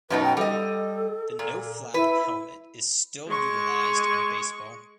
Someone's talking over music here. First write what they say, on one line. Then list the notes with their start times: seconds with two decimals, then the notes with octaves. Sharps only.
The no-flap helmet is still utilized in baseball.
0.10 F#2 B2 D#4 B4
0.23 G5
0.37 G3 A4 D#5
1.39 A#2
1.94 E4 B4
3.28 G#3 C#6